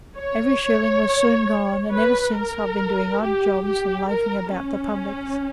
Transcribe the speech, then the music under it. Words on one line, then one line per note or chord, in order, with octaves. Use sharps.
Every shilling was soon gone, and eversince I've been doing odd jobs and loafing about the publics.
C#5
B4
A#4
G4
G4
A#4
C#4